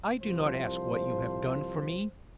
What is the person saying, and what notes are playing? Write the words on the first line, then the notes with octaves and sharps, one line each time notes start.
I do not ask what you have done for me.
C2 F3 C5